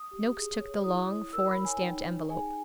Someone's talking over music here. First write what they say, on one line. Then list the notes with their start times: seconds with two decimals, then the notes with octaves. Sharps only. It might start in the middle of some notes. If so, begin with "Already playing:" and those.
Noakes took the long, foreign-stamped envelope.
Already playing: D#6
0.11 G4
0.36 G#4
0.60 C#5
0.84 E4 D#6
1.08 E4
1.33 A#4 E6
1.49 B5
1.58 C#5
1.65 G#5
1.82 D#4 G5
2.07 D#4
2.30 G#4 G#5